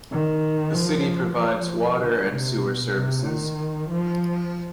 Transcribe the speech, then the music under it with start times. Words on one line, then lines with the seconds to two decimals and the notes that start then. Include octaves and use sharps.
The city provides water and sewer services.
0.11 D#3
0.75 F3
1.37 F3
2.01 D3
2.32 C3
2.63 B2
2.95 C3
3.27 D#3
3.90 F3